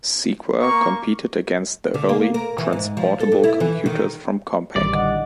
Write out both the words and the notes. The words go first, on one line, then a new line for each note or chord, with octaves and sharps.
Seequa competed against the early "transportable" computers from Compaq.
A#3 C#6
D3
A#3
A#4
E3
G#2
F3
A4
G2
E4
E3
D#3
A1 D#3 E3 G3 D5 A6
D3 D#5 F#5